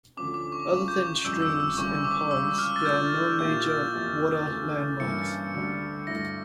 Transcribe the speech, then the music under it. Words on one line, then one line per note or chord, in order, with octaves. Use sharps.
Other than streams and ponds, there are no major water landmarks.
D2 D3 F3 C#4 D6
D6
C#6
D2 C#3 F3 D6
G6
D6
F2 C#3 G3 E6
E6
E6
D2 C#3 E3 G3 C#6
D6
C#2 C#3 G3 E6
F6
A6
D3 A3 D4 F4 G6
A#2 F3 A#3 E4 G4 G6
A6
F2 E3 A#3 E4 G4
D2 C#3 E3 A3
G2 E3 A#3 C#4 E4 C#7
D2 D3 G3
G2 D3 A3 E4 A#6